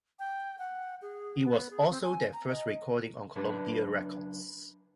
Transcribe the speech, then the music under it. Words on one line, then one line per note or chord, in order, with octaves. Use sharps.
It was also their first recording on Columbia Records.
G5
F#5
G#4
B3
G#4
C4
G#5
A#5
D#5
F#2 C#3 D4 B4 A5